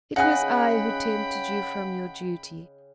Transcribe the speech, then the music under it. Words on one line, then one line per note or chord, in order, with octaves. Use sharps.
It was I who tempted you from your duty.
C#3 D#4 G#4 F#5 G5 B5 F#6